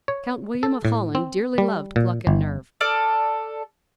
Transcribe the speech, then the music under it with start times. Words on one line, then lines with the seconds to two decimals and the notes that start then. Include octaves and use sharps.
Count William of Holland dearly loved pluck and nerve.
0.08 C#5
0.63 A4
0.85 A2
1.15 C4
1.58 G3
1.96 A#2
2.27 G1
2.81 A4 D5 F6